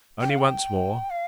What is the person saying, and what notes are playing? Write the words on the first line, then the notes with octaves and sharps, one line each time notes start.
"Only once more."
G5
F5
G5
F5